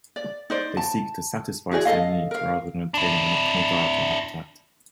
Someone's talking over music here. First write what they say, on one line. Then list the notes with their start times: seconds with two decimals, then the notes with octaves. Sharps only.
They seek to "satisfice" their needs rather than obtaining an optimal diet or habitat.
0.16 D5
0.50 D#4 C5 D5
0.77 A5
1.71 E4 F#4 G#4 D5
1.85 A4 D#5 F5
2.31 A#4 F5
2.94 D4 E4